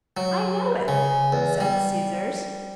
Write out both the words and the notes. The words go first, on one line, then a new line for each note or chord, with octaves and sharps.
"I know it," said the scissors.
F#3
C#3
E2
G3